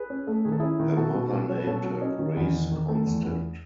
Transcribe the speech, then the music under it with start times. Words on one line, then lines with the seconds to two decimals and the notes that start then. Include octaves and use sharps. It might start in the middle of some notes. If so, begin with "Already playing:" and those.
Her mother named her Grace Constant.
Already playing: G#4 B4
0.10 C#4
0.27 A3
0.45 D#3 G#4
0.52 A4
0.60 C#4 E4 G#4
0.80 D#3
0.97 B2 F#4 A4
1.14 B2
1.32 B2
1.49 F#3 C#5
1.58 B4
1.67 B2 A4 C#5
1.84 F#3
2.02 C#4 B4 D#5
2.19 D#3
2.36 E2
2.54 D#3
2.72 D#3
2.88 A3
3.06 E2
3.23 E2